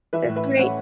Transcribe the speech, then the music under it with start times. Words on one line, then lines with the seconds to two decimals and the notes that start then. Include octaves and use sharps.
That's great.
0.13 E3 B4 E5
0.28 A2
0.36 B4 E5
0.44 C#4
0.59 A3 C#5 F#5